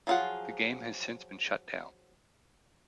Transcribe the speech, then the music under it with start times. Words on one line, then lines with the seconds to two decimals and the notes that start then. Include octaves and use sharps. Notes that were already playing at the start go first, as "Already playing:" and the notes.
The game has since been shut down.
0.07 F3 F#3 F4 G#4 F#5